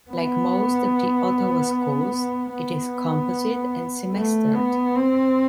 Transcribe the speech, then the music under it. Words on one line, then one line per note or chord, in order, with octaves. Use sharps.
Like most of the Ottawa schools, it is composite and semestered.
B3
B3
A3
B3
C4